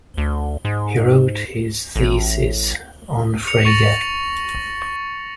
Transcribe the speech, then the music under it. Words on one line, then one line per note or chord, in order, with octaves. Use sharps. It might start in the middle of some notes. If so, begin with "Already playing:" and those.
He wrote his thesis on Frege.
D2
G#2
A1
C#7 F7
C#6 A6 A#6 F7 F#7